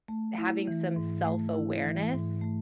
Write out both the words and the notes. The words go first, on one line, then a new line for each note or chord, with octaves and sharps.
having some self-awareness
A3
E4
E3
G#2
A3
E4
E3
G#2
A3